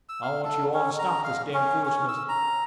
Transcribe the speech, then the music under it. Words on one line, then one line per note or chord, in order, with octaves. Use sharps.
I want you all to stop this damned foolishness.
E6
F5
A4
C#4
A#5
F5
C#4
C#4
E6
A#5